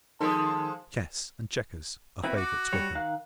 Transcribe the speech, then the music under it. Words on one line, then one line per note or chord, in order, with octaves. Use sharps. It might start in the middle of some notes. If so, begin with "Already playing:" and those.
Chess and checkers are favorites with them.
D#3 F3 G#3 A4 A5 C6 D#6
C4 E4 F#4 B4
F#4 D6
G3 C#5
D#3 F5 F#6